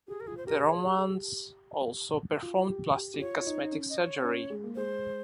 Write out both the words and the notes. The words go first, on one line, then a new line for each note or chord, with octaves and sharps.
The Romans also performed plastic cosmetic surgery.
G4 G#4
A#4
F4 G#4
C5
G4 A#4
G#4 C#5
G4
G#4
G4
F4
G4
G4
G4
F4 C#5
F4
D#4
D#4
C#4
D#5
C#5
C#4
G#3
A#3
G#3 C5